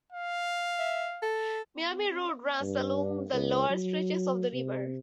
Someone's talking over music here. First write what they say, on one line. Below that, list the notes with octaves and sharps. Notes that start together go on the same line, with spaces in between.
Miami Road runs along the lower stretches of the river.
F5
E5
A4
G2
C#2
F#3
C3